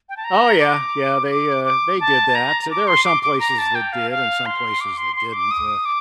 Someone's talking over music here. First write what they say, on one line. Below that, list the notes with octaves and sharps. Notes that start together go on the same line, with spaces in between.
Oh, yeah, yeah, they, uh, they did that, there were some places that did, and some places that didn't. Uh,
G5
A5
A#5
D6
D6
D6
A5
A#5
D6
C6
D6
D6
A#5
A5
G5
F5
F5
C6
D6
C6
C6
D6
D#6
D6